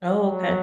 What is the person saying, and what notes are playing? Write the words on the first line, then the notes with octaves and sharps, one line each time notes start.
Oh, okay.
F#3